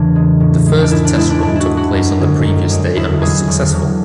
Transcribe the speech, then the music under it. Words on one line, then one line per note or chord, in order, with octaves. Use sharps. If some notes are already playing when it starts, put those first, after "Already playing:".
The first test run took place on the previous day and was successful.
Already playing: E2 C#3 E3 D4
G#3
A2
G#3
D4
G#2 E4
D4
G#3 E4
D4
G#2 D4
E4 F#4
G#3
F#4
F#2
D3 G#3
F#2
D3 G#3
E2 E4
D3 F#3 G#4
E2
D3 F#3